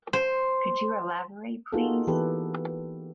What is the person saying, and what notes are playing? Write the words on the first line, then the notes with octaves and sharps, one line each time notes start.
Could you elaborate please?
C5
A#3 D#4 F4 F#4 G#4 A4
E3 B3 G4 A4 B4